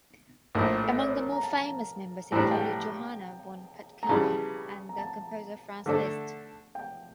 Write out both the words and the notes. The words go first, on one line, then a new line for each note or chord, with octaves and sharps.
Among the more famous members included Johanna von Puttkamer and the composer Franz Liszt.
A#1 A2 F3 A#4
A4
D5
C#5
A#4
A#5
A5
A2 E3 G3 D4 A#5
A5
G5
A5
A#5
C#3 E3 G3 A5
A#5
A5
D3 A3 D4 A4 A5
G5